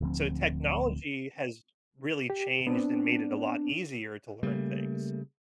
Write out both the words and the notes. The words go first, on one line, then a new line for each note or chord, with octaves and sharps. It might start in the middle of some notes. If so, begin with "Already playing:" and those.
So, technology has really changed and made it a lot easier to learn things.
D1 D2 F3 C4
G4
B3 C4 D4
C#3 G3 A3 A#3